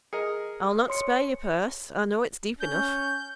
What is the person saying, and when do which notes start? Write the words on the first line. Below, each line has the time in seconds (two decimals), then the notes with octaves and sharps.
I'll not spare your purse,--I know it's deep enough.
0.13 G#4 A#4 D#5 C#7
0.88 C#5 C6 C#7
2.60 C#4 G6